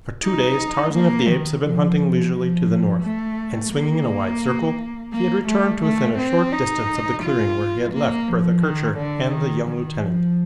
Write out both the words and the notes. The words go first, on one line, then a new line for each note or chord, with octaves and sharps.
For two days Tarzan of the Apes had been hunting leisurely to the north, and swinging in a wide circle, he had returned to within a short distance of the clearing where he had left Bertha Kircher and the young lieutenant.
D#4
A#3
D#3
F3
F3
A3
A#3
A#3
A3
A3
C4
D#4
F4
A#3
F3
D#3
D3
D#3
D#3
F3